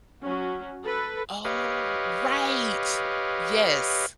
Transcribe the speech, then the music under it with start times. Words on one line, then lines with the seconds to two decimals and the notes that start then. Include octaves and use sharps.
Oh, right, yes.
0.22 F#3 C#4 F#4
0.84 A4 B4
1.45 G4 B4 C#5 D#5 F5